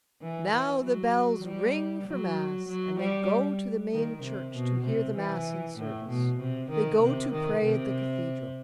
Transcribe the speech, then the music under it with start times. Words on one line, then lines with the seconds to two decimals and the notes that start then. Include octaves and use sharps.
Now the bells ring for Mass, and they go to the main church to hear the Mass and service; they go to pray at the cathedral.
0.22 E3
0.52 E3
0.83 F#3
1.45 G3
2.08 F#3
2.69 F#3
3.00 G3
3.93 D#3
4.23 C3
4.55 B2
4.85 C3
5.17 E3
5.78 A2
6.09 B2
6.40 C3
6.71 D#3
7.02 C3
7.33 D#3
7.64 C3